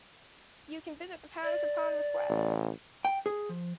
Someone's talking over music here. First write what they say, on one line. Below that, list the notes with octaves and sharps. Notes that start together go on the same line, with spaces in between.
You can visit the palace upon request.
D5
A1
G5
G#4
F3